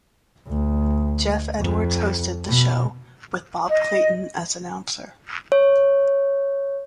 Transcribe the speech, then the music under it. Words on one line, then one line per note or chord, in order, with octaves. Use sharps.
Geoff Edwards hosted the show, with Bob Clayton as announcer.
D2
F2
B2
D#5
C#5